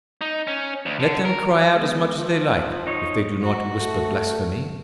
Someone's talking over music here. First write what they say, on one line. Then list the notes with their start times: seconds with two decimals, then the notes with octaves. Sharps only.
"Let them cry out as much as they like if they do not whisper blasphemy."
0.21 D#4
0.47 C#4
0.86 D2
1.00 D3
1.25 A#4
1.72 G#3 B3
2.16 F3
2.87 D#4 C#5
3.42 F#4
3.77 A3